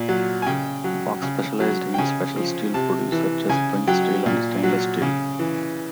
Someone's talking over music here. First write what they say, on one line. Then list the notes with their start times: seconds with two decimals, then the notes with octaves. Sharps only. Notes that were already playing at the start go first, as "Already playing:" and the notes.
Fox's specialised in special steel produce such as spring steel and stainless steels.
Already playing: A#2
0.09 F#3
0.42 G#5
0.47 C#3 G5
0.84 F#3
1.22 C#3
1.60 F#3
1.94 G5
1.98 C#3 G#5
2.36 F3
2.74 C3 A5
3.12 E3
3.49 C#3 G#5
3.87 F#3 G5
4.26 A#2
4.63 F#3
5.02 C#3
5.39 E3